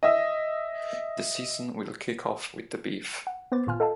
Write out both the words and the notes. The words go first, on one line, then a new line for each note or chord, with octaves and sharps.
The season will kick off with the Beef.
D#5 E5
F#5
B3 B4 C5 D6 A6
G#1 A#2 F4 G#5 F6
A4 D#5 F5 G5 A5